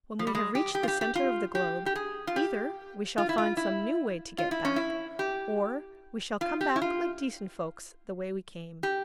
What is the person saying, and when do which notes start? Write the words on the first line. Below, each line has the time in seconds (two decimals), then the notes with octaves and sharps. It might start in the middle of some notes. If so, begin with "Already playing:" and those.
When we have reached the centre of the globe, either we shall find some new way to get back, or we shall come back like decent folks the way we came.
0.19 F3
0.27 G3
0.35 G#3
0.55 G4
0.75 G4
0.83 F4
0.88 G4
1.01 G4
1.15 F4
1.55 G4
1.86 G4
1.96 G#4
2.27 F4
2.36 G4
3.18 F4
3.29 E4
3.38 F4
3.57 E4
4.38 F4
4.51 E4
4.65 C#4
4.76 E4
5.19 G4
6.41 F4
6.61 G4
6.76 E4
6.82 F4
8.83 G4